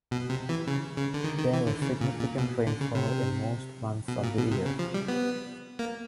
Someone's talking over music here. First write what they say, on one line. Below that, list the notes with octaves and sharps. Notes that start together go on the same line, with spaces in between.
There is significant rainfall in most months of the year.
B2
C3
E3
C#3
C#3
D3
D#3
D#3
E3
D3
C#3
A#2
A#2
B2
D3
C#3
C3
B2
A#2
B2
C3
C#3
F3
G3
B3
A#3